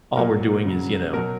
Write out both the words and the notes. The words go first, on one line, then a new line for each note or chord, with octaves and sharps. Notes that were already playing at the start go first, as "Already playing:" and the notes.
All we're doing is, you know,
A#2 F#3 A#4
C#3 F#3
B2 F#3 A#4